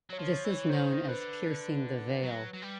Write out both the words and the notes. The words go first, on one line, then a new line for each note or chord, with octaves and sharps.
This is known as piercing the veil.
F#3 C#5
F3
C#5
E3
C#5
D#3 C5
D3 B4
F#3
F#3
G3